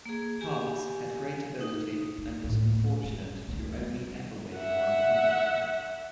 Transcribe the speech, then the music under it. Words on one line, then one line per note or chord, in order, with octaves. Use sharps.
Parkes had great ability, and was unfortunate to only ever win one England cap.
A#3 G#4
G4 G#5
D#4
D4
D2 A2
G3 C#4
D2
G3
E5 F#5